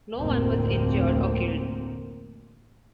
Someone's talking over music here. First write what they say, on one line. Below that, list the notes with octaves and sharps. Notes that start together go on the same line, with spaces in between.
No one was injured or killed.
F1 D2 A2 A#3 C4